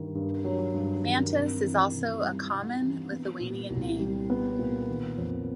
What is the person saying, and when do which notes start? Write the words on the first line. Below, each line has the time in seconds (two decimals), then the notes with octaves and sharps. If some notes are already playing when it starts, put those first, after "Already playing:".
Mantas is also a common Lithuanian name.
Already playing: G2 D#3
0.15 G2
0.44 F#3
0.74 G2
1.03 D#3
1.33 C3
1.63 E3
1.93 C3
2.22 G3
2.52 C3
2.81 E3
3.11 B3
3.40 A#2
3.70 C2
4.00 G3
4.30 B3
4.59 A#2
4.89 D#3
5.18 F2